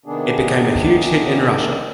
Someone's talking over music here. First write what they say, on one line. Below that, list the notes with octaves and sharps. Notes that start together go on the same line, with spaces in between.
It became a huge hit in Russia.
C3 D#3 B3 D4 G#4